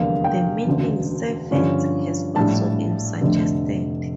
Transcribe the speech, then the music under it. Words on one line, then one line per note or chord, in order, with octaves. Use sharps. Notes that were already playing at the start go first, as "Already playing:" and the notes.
The meaning "servants" has also been suggested.
Already playing: F1 E2 D3 G3 A#3 F5
G5
E1 D2 C#3
G2 D3 F3 C#4
A#1 A2 G3 D4 A5
F1 F2 D3 A3 D4